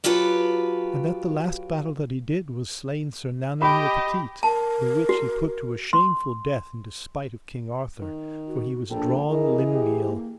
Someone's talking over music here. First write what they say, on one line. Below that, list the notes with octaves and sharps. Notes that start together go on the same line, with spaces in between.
And at the last battle that he did was slain Sir Nanowne le Petite, the which he put to a shameful death in despite of King Arthur, for he was drawn limb-meal.
F#3 F4 G4 A4 B4
G4 D#5 B5
A#4 A5
F#4
C6
D#3
F#4
A#1 D4 A4 G5
E3 G#4 A#4 D#5
G4
A#3